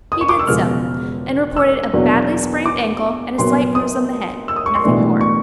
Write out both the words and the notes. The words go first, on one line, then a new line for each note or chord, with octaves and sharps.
He did so, and reported a badly sprained ankle, and a slight bruise on the head; nothing more.
D#6
C#6
D6
E6
E1 E2 C#3 F3 G#3 F6
E6
E2 B2 F#3 A#3 D4
D6
A#1 A#2 F#3 B3 C6
D#6
E6
D#6
C#6
C6
B1 A2 E3 A3 D4
C#6